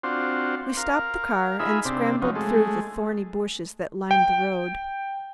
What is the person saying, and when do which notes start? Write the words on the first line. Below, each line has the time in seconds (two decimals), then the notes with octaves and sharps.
We stopped the car and scrambled through the thorny bushes that lined the road.
0.03 C4 D4 F4 F#4 C5
0.77 A#4 F5
1.59 D#4 F4 G#4 E5 B5
1.85 C3 C4 D4
2.22 F3 F#3 C#4 D#4
2.35 G#3 A3
4.11 G5